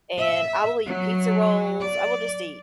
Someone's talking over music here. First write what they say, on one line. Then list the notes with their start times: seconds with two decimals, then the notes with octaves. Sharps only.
and I will eat pizza rolls, I will just eat,
0.20 E5
0.86 F#3
1.80 D5